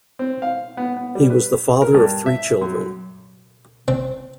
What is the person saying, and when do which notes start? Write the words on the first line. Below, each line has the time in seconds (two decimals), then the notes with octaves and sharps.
He was the father of three children.
0.19 C4
0.42 F5
0.77 B3
0.97 B3
1.15 G3
1.30 B4
1.82 A#4
1.95 G2
2.26 E5
2.61 F#2
3.88 C4